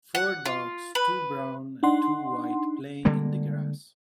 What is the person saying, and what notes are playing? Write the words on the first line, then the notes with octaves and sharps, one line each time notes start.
Four dogs two brown and two white playing in the grass.
F#5
F4
B4
D4 D#4 F#5 C6
D3 G3 G#3 A#3